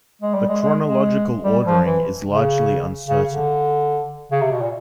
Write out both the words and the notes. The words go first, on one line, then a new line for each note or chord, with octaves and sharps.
The chronological ordering is largely uncertain.
G#3
G3
G#3
G#3
G#3
G3
F3
E3
C#3
C#3
D3
C#3
C3
B2
A#2